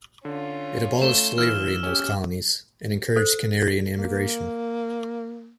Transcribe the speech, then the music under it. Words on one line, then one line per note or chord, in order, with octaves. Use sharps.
It abolished slavery in those colonies, and encouraged Canarian emigration.
D3 C#4 F4
A3 E7 G7
E3 E6 F6
C#4 G4
A4 C5
A#3